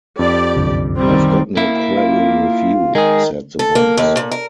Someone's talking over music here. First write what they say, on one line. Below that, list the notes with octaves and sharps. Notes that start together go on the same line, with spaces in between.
"I've got no quarrel with you," said the Voice.
F2 G4 D5
C2 F#2 D3
D#3 G3 C4
A#3 E4
F4
D#3 G#3 G#4
A4
A#3
D#2
A#2
A#4